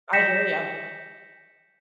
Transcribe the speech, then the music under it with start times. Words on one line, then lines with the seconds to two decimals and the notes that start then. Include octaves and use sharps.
I hear ya.
0.13 G6 A#6 B6 C#7 E7